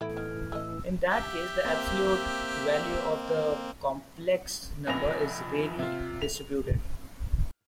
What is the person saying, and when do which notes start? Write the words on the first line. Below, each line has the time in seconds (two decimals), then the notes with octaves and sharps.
In that case, the absolute value of the complex number is Rayleigh-distributed.
0.01 A2 E3 A3 B3 E4 A4 G#6 D7
0.17 D#3 B3 F6 G#6
0.52 A3 D#5 E6
1.10 G4 E5
1.65 A#3 C4
4.87 F1 A#1 F2 A#6 F7
5.79 C3 F4
6.22 F7